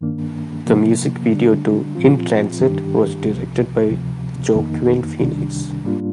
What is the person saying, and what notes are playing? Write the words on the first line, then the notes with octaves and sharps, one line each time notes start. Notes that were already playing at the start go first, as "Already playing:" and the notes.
The music video to "In Transit" was directed by Joaquin Phoenix.
G2 D#3 A#3 D4
C3 F3 A#3
D3 G3 D4
A#2 F3 C4 F4
G2 D#3 G3 D4 G4
C2 C3 F3
D2 C3 F3
F2 D#3 A#3 D#4
C2 C3 D#3 G3 D4
G#2 G3 A#3 D4 F4